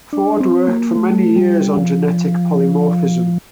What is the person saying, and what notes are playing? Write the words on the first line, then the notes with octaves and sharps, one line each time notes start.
Ford worked for many years on genetic polymorphism.
D4
C4
A#3
A3
G3
F3